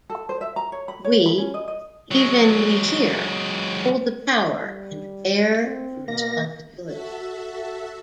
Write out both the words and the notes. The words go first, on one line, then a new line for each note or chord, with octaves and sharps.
We, even we here, hold the power and bear the responsibility.
A4
C5
E5
A#5
C#5
B5
C#5
B5
C#4
D#5
D#5
F#3 G#3
G3
C4
B2 A#3 A#6
F#4 A4 E5